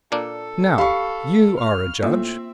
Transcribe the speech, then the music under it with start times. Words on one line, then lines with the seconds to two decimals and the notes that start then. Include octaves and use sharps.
Now, you are a judge!
0.12 A#2 A#3 D4 A4
0.78 G4 F5 B5 C#6
1.59 F6
2.03 A2 A#3 C4 F4 E5